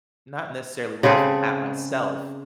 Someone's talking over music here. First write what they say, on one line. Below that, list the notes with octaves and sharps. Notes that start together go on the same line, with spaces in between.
not necessarily laughing at myself.
C#3 C4 G#4 A4